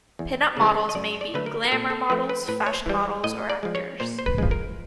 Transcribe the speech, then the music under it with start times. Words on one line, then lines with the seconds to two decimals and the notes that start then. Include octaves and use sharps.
Pin-up models may be glamour models, fashion models, or actors.
0.19 E2
0.57 C#3 E3 G#3
0.89 D#5
0.95 F#2 D5
1.21 D5
1.34 D3 F#3 A3 B4
1.46 A#4
1.65 A#4
1.72 A#2 A4
1.90 A4
2.10 F3 A3 B4
2.29 B4
2.48 A2 B4
2.67 C#5
2.73 C5
2.86 E3 G3
3.24 A2 D#5
3.50 D5
3.63 F3 G#3
3.75 C#5
4.00 A#2 C5
4.19 C5
4.26 B4
4.38 F3 G#3
4.51 A#4